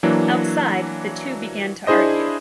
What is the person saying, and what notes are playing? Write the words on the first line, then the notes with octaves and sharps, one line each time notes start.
Outside, the two began to argue.
E3 F#3 A#3 D4
D4 E4 G#4 C5 D#5